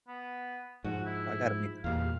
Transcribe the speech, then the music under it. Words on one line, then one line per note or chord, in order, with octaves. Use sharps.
I gotta meet them up.
B3
G#2 F3 F#4
E4
E2 A#2 G3 F5